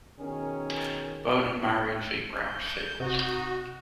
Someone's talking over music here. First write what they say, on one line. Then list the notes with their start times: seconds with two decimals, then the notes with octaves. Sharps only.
Bone and Marion V. Brownfield.
0.19 B2 D#3 C#4 G#4 A#4
2.40 G6
3.00 C3 D#4 F#4